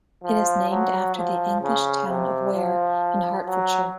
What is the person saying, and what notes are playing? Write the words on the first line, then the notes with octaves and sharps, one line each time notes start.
It is named after the English town of Ware in Hertfordshire.
F3
F#3
F3
C#3
C3
F3
F#3